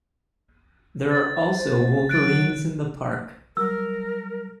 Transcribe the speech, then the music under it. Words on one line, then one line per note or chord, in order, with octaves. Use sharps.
There are also wolverines in the park.
C5 A6
F#3 F#6 A6 D7
F#3 G3 A#4 E6